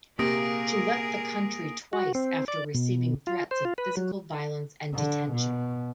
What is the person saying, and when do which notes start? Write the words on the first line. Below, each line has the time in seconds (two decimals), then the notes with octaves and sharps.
She left the country twice after receiving threats of physical violence and detention.
0.19 C3 A#3 G#4 A#4 D#6 A#6 D7
1.93 F#4
2.15 C4
2.48 D5
2.75 B2
3.27 F4
3.51 C5
3.65 F4
3.78 B4
3.97 F#3
4.95 D3
5.33 B2